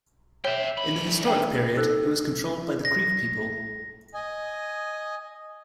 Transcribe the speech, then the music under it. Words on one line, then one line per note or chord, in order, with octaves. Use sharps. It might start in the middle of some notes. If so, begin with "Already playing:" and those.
In the historic period, it was controlled by the Creek people.
C#5 E5 G5
D2 B5
G5
D#4 A4 E6 F#6
A#6
D#5 G#5